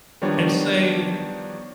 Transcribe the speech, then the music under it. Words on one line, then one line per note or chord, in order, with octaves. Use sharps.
And say
D#3 F3 G3 B3 D4 C#5